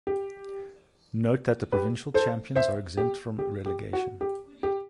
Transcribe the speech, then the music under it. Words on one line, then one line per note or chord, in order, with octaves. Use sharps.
Note that the provincial champions are exempt from relegation.
G4
G4 B4
A4 C5
C5 E5
G4
G4
G4
F#4
G4
G4